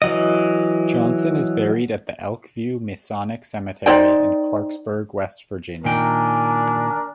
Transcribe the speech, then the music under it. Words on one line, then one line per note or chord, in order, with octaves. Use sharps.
Johnson is buried at the Elkview Masonic Cemetery in Clarksburg, West Virginia.
E3 F#3 D#5
D#4 C5 D5 G5
A#2 D#3 D4 A#4 G5 G#5